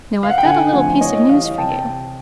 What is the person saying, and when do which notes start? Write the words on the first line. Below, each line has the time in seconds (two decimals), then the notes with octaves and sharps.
Now I've got a little piece of news for you.
0.23 F5
0.30 F#5
0.38 G5
0.45 D3 F#5 G#5
0.73 F3 A3 C4 F4 F#5 G#5
1.01 A2 C#5 D#5
1.29 E3 G3 D#5 F5
1.58 C3 G5 A5